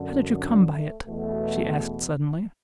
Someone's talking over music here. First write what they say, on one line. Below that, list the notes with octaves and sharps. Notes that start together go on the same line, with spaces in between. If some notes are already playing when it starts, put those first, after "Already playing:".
"How did you come by it?" she asked, suddenly.
Already playing: F#2 D3
D4
A3
E2 B2 A3